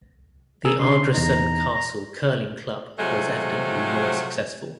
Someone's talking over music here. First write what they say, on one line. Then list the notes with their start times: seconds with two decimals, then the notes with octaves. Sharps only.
The Ardrossan Castle Curling Club was evidently more successful.
0.65 G#4 A#4 E6
0.80 C#3 D4 C6
1.14 E2 D#4 A#5
2.99 C3 F3 F#3 G#3 A3